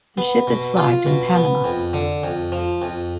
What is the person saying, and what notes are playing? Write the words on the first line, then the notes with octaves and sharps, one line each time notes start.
The ship is flagged in Panama.
B3
B2
F4
B2
B3
F2
D3
F2
F3
F2